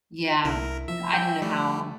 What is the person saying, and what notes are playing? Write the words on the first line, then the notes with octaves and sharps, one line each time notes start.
Yeah m I don't know how
C2 E4 A#4
F3 E5
G5 G#5
G3 A3